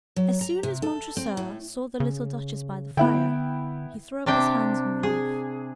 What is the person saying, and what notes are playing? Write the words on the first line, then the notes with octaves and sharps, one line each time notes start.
As soon as Montresor saw the little Duchess by the fire, he threw up his hands in relief.
F#3
A#5
C3
A4
C4
A2
C#3
D3 B3 E4 G5
C3 D4 G4 G5
G#4